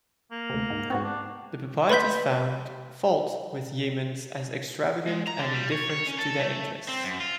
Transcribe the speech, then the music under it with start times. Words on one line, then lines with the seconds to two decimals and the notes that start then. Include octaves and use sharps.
The proprietors found fault with Yeamans as extravagant and indifferent to their interests.
0.31 A#3
0.50 D2 C3
0.70 G#2
0.90 G#2 B3 C4 F#4
1.04 D4
1.89 B4 B5 C6 G6 B6
5.07 G#3
5.28 A#5
5.40 D3
5.54 G3
5.72 C#5
5.90 C#5
6.07 C#4
6.18 A4
6.40 A3
6.88 C4
7.04 F#2
7.20 F4